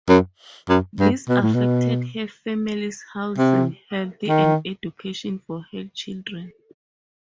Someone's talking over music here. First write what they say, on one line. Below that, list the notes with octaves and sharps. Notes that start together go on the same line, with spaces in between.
This affected her family's housing, health and education for her children.
F#2
F#2
G2
B2
A2
B2
C3
D#3